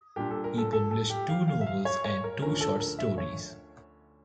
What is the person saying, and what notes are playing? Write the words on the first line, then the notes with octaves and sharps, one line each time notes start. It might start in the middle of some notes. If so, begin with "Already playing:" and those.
He published two novels and two short stories.
A#2 G3 D4 G4
A4
A#4
A4
A4
A4
G4
F5
F5
E5
F5
C#5
C#5
A#4
D2 D3 F3 C#4 A#4
A4
A#4
E5
C#5